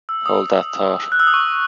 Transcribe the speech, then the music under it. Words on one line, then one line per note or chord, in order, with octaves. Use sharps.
Hold that thought.
E6
D#6
F#6
E6
D#6
C#6